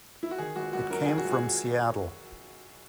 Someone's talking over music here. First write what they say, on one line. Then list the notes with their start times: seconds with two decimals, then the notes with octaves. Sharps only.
It came from Seattle.
0.23 E4
0.31 F#4
0.38 D#3 G#4
0.56 G#1 F#4
0.73 G#1 F#4
0.90 F#2 A#4
1.05 D#3 G#4
1.18 F#4
1.25 G#1
1.31 G#4